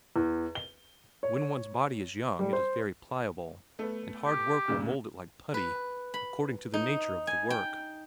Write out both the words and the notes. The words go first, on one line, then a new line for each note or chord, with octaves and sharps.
When one's body is young, it is very pliable, and hard work will mould it like putty according to the nature of the work.
E2
G7
C#5
G3
C5
A3 B3
G4
D#2 A#2 C#3
B4
B5
D#4
G#5
G5